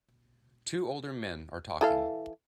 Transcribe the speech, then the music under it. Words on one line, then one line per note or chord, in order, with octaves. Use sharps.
Two older men are talking.
E3 A4 F5